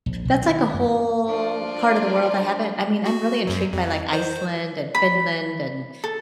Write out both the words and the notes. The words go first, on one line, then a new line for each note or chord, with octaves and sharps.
that's, like, a whole part of the world I haven't I mean, I'm really intrigued by, like, Iceland and Finland and
A#1
B1
D#3
F#2
F3 D4 F4
F#4
F#2 F#3
F2
C5
B5
A4